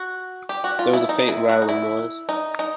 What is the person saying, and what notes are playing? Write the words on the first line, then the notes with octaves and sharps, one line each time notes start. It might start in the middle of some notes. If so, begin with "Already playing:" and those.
There was a faint rattling noise.
Already playing: F#4
G4
F#4
F4
E4
D#4
E4
F#4
D#4
E4
D#4
D#4